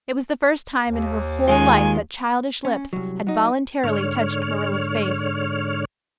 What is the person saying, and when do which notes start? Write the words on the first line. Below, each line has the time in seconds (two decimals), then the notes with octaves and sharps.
It was the first time in her whole life that childish lips had voluntarily touched Marilla's face.
0.88 D#2
1.48 D#3 G#3 F4 G#5
2.65 C#4
2.93 C2 F#3
3.27 F#3 D#4
3.84 G#2 D3 C#5 F6